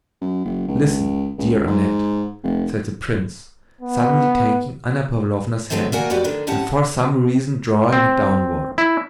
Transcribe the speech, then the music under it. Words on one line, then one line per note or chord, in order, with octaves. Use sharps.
"Listen, dear Annette," said the prince, suddenly taking Anna Pavlovna's hand and for some reason drawing it downwards.
F#2
F#1
C#2
C#2
G#2
F1
B3
E3 F#3 G#3 A3 B3 C4
A#3 F#4 A#4 D5 F#5 G#5
F2 B3 F#4 G4 D5
D3 D#3 D4
C4 C#4 E4 G4 F#5 A5
C4
E4